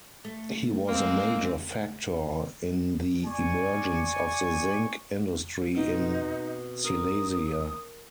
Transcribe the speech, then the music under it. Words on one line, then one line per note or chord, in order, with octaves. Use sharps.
He was a major factor in the emergence of the zinc industry in Silesia.
A3
G#3 A#3 C4
D5 G#5 C#6
B2 C4 D#4
A#4 D#6